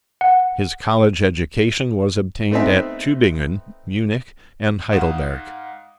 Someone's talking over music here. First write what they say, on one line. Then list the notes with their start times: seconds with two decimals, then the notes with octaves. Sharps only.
His college education was obtained at Tuebingen, Munich, and Heidelberg.
0.21 F#5
2.51 A3 B3 C4 D#4 E5
4.93 G#2 F5 F#5 D#6 E7